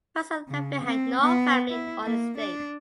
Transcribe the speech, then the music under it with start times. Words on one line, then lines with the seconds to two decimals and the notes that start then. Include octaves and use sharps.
Franson left behind no family or estate.
0.48 C#3
0.85 C4
1.21 B3
1.70 E4
2.03 A#3
2.37 D4